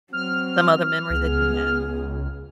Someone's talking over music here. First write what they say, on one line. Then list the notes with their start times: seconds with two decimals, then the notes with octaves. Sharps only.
some other memory that you have?
0.13 F#3 C4 F6
1.10 C#2 B3 G#4